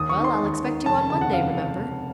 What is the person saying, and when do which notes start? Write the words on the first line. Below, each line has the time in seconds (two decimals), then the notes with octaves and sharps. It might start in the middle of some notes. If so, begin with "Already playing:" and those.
"Well, I'll expect you on Monday, remember."
Already playing: D#2 D#6
0.09 C#6
0.17 D#3
0.24 C6
0.40 D#2
0.63 D#3
0.86 F1 A5
1.10 D#2 C#3 A5
1.21 F#5
1.33 F1 F5